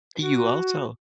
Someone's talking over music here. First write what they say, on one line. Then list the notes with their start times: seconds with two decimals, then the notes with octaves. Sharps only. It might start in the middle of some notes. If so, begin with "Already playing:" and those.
You also.
0.20 F#4